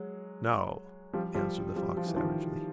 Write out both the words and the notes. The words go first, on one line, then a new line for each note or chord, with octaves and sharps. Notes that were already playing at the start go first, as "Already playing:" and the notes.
"No," answered the fox savagely.
Already playing: F#3 G#3
F3 G3
F3 G3
F3 G3
F3
E3
D#3 F3